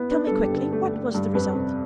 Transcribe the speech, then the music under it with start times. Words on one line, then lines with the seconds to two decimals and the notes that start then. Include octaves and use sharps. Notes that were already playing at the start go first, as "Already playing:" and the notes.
"Tell me quickly--what was the result?"
Already playing: B3 E4
0.11 D4 B4
0.27 A4
0.31 G2
0.43 G4
0.53 D3 A4
0.72 A3
0.94 A3
1.14 G2
1.35 F2 B4
1.55 C3